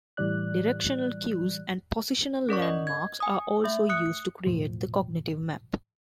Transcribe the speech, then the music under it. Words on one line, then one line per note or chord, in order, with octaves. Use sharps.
Directional cues and positional landmarks are also used to create the cognitive map.
A2 E3 G3 D5 F#6
C#4 A#4 D5 C#6
D#5
G#6
G#5 D#6
A3 E5
D#6 F#6 C#7
E1 A2 F3